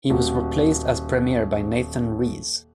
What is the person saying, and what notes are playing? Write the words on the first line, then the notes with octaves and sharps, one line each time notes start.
He was replaced as premier by Nathan Rees.
D#1 F#4